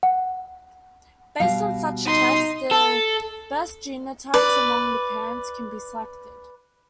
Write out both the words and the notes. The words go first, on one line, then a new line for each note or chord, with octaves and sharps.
Based on such tests the best genotypes among the parents can be selected.
F#5
B2 G3 F5
D#4 C6
A4
B4 D5